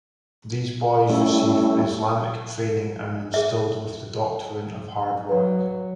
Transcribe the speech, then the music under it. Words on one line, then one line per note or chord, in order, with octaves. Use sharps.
These boys receive Islamic training and are instilled with the doctrine of hard work.
G3 A3 C#4 E4
G#4 E5
F#3 B4